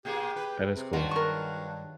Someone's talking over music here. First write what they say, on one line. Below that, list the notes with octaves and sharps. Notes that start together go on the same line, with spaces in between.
That is cool.
A#2 A#3 G4 G#4
B4
C3
G2 D#3 F#3 F4 F#4
A#4 C#6